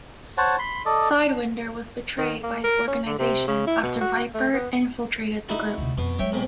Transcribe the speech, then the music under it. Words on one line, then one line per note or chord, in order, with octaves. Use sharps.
Sidewinder was betrayed by his organization after Viper infiltrated the group.
C5 C#5 F#5 A5
B5 C6
A4 D5 D#5
D#3
A#3
A#4
C#4
D3
C3
C#3
E4
B2
F#4
A3
B3
D#4 E4 F#4
D2 C3
F2 B2
F#3 G#3 C#5 E5 G5
B1 G#2 C3